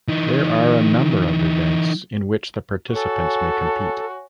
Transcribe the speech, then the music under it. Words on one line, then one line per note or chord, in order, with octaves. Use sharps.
There are a number of events in which the participants may compete.
E3 D#4
F#4 A4 C#5 G#5